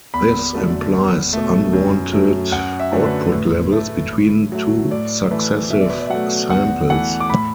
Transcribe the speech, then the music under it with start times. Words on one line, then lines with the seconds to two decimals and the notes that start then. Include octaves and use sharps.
This implies unwanted output levels between two successive samples.
0.14 E2 B5
0.54 D3 F#3 A3
0.93 E2
1.33 B2 A3
1.73 F#2
2.13 F#3 A3
2.52 F#2 F#5
2.80 E5
2.92 D3 F#3 A3
3.06 B4
3.32 A2
3.72 A3
4.12 A2
4.52 F#3 A3
4.91 A2 D5
5.31 E3 A3 B4
5.70 B2 E5
5.81 D5
5.90 B4
6.00 D5
6.06 E5
6.10 F#3 A3 F#5
6.50 E2 F#5
6.90 E3 A3 F#5
7.20 D6
7.30 A2 B5